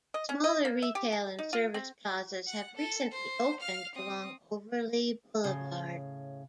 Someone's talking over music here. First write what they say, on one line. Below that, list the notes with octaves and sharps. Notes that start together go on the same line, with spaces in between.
Smaller retail and service plazas have recently opened along Overlea Boulevard.
D#5
C#4
D#5
A#3
E5
G4
A5
D#4
F4
C4
F#5
A4
C5
F5 F6
C4 D#6
A2 C#3